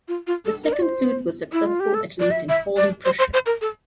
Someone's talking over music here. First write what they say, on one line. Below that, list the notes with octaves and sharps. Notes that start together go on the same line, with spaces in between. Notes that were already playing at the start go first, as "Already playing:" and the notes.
The second suit was successful, at least in holding pressure.
F4
F4
A4
A#4
D5
C5
E4
F4
G4
A4
D5
E5
E5
D5
C5
C5
C5
A#4
A4